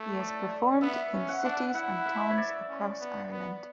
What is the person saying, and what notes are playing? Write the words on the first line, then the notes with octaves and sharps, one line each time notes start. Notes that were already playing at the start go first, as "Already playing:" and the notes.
He has performed in cities and towns across Ireland.
Already playing: A3 C#5
D5
B3 E5
C#4
F#5
D4 F#5
E4 F#5
E5
C#5
D5
C#4
B3
B3